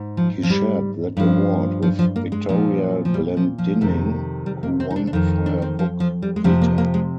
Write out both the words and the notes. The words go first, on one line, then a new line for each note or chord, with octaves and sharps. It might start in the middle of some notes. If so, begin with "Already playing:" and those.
He shared that award with Victoria Glendinning, who won for her book "Vita".
Already playing: G#2
F3
F3
G3
G2 F3
F3
F3
A#3
G#3
A#2 F3
F3
G3
F3
F3
F2 C3 D#3
G3
A#3
C4
D#4
D4
D4
F2 D#3 D#4
D4
C4
F3
F3
G3
G#3
F2 C3 F3 G3
A#3
A#3
G#3